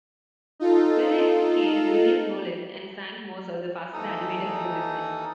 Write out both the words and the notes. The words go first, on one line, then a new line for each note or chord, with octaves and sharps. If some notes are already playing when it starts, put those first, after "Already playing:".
With him came William Nolan and Frank Moser, the fastest animators in the business.
D#4 F4 A4
D#2 E3 D#4 A4 D#6